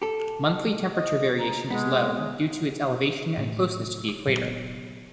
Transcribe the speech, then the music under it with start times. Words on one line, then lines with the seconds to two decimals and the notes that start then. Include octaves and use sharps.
Monthly temperature variation is low, due to its elevation and closeness to the equator.
0.02 G4 A4
0.94 D#5
1.39 A#5
1.71 G#3 B3
3.38 A2
4.27 A#2 F#3 B3